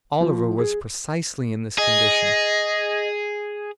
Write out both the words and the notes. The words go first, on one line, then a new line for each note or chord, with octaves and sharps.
Oliver was precisely in this condition.
F3
G#4
G#4 D#5